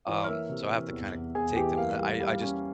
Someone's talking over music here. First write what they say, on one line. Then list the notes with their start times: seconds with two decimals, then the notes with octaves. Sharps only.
um, so, I have to, kinda take them, and then I I just
0.07 E3 C#5 C#6
0.24 F6
0.28 A#3 E5 E6
0.49 C3
0.71 E3
0.92 E2
1.14 E2
1.35 E2 G#4 G#5
1.56 E3 G4 G5
1.77 A#3 F5
1.99 G3
2.20 G3 F5
2.41 C#4